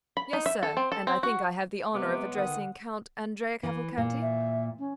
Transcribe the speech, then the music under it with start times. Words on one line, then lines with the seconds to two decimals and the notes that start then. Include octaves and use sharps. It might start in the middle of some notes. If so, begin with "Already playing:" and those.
"Yes, sir, and I think I have the honor of addressing Count Andrea Cavalcanti?"
0.17 B5
0.33 D#4
0.46 E5
0.63 A4
0.77 C4
0.92 A4
1.07 C4
1.23 F#4
1.94 C3 F#3 G#3 B3 D6
2.35 D3 D#3 F#5 D#6
3.63 E3
3.98 A#2
4.22 E5
4.79 C#4